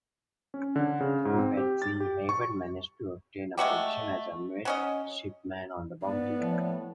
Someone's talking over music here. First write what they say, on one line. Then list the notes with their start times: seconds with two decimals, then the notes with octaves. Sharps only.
Through Betsy, Hayward managed to obtain a position as a midshipman on the "Bounty".
0.54 C#4
0.76 D3
1.00 C#3
1.25 G#2
1.37 C4
1.57 G4
1.82 A6
2.00 G4
2.29 C#6
3.57 G#3 A3 F#4 G4
4.65 F#3 C#4 D#5
6.04 G#2 B3 D5
6.37 A2 F3